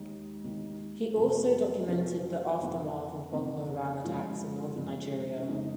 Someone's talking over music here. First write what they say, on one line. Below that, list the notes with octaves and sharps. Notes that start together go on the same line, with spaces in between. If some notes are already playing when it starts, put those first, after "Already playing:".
He also documented the aftermath of Boko Haram attacks in Northern Nigeria.
Already playing: D#2 D#3 G#3 D#4
D#2 D#3 G#3
F2 C3 F#3
F2 C3 F#3 C#4
F4
F2 C3 D#3 A#3 D#4
F2 C3 D#3 A#3
F#2 F3 G#3 F4
F#2 F3 G#3
C#4
F2 C#3 G#3 D#4